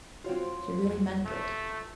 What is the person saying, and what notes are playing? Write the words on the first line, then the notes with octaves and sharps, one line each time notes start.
She really meant it.
C4 F4 F#4 C#5
F2 F#3
G1 C3 A3